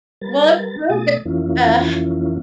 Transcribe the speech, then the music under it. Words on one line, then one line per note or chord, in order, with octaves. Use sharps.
Well, it was really good, uh,
G3 A#4 B4 A6
B2 A3 D#6 A6
F2 E3 A#3 C#4 E4 F4